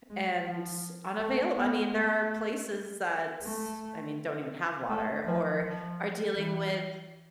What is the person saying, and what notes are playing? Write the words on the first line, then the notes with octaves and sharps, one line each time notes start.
and s unavail I mean, there are places that s I mean, don't even have water or are dealing with
G#3
F3
A3
B3
A3
A3
A3
F3
F3
E3